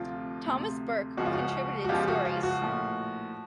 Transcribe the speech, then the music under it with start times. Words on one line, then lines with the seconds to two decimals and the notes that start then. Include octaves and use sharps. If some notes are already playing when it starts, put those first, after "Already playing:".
Thomas Burke contributed stories.
Already playing: D2 C3 F3 F4
0.46 D2 C3 F3
1.17 C#2 C#3 F3 F#4
1.26 F4
1.33 F#4
1.84 F#4
1.89 C#2 C#3 F3 F4 G4
2.08 F#4
2.25 F4
2.43 F#4
2.61 A#1 A2 F3